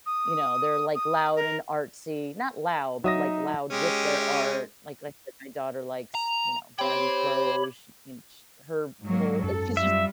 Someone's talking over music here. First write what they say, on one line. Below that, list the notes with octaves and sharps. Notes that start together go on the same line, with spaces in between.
you know, they're, like, loud and artsy. Not loud, but, like, loud with their art. Like like my daughter likes, you know, baggy clothes. Sh and sh her pull it's she's just
D#6
D#6
A#4
F#3 D#4 E5 D#6 A#6
G#3 C#4 G4
A#5
G4 C5 C#5 G5 B5
G#2 F#3 A#3
F#2 A4
G3 F4 E5